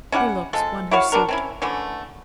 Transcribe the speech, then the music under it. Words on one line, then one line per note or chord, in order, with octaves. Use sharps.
Her looks won her suit.
C#4 E4 G4 F#5
F3 G#3 A4
E4 F#4 C#5 F5
B3 D4 F#4 A#4
C4 C#4 E4
D3 E3 A3 C#4